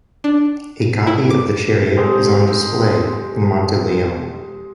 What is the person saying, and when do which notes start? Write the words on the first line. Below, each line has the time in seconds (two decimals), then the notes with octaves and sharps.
A copy of the chariot is on display in Monteleone.
0.24 D4
1.07 E4
1.30 D6
1.97 G#3 C4 G4 A4 C5